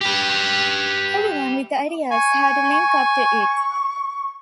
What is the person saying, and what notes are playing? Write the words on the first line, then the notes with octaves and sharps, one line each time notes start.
Everyone with ideas had to link up to it.
G4 B4
G#5 C#6